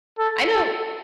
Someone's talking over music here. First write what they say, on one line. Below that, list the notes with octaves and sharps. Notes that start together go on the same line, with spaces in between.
I know
A4
A4